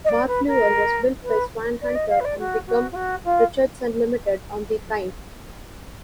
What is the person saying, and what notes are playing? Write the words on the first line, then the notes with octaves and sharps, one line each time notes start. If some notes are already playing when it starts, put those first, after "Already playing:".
"Barfleur" was built by Swan Hunter and Wigham Richardson Limited on the Tyne.
D#5
D5
B4
A#4
B4
D5
D#5
F5
B4
D5
F#4
F#4
F4
F#4
F4